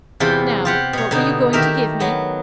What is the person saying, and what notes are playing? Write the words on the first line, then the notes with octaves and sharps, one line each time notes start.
Now, what were you going to give me?
E2 C3 E4 F4 G5 B5
F4 G4 F#5
B2 C#5
B2 D3 D#4
D#3 A3 G4 A#4 E5
F#3 B3